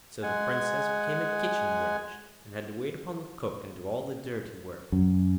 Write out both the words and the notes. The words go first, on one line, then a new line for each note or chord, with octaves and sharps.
So the Princess became a kitchen wench, and had to wait upon the Cook and do all the dirty work.
G#3 F#5 G#5
F#2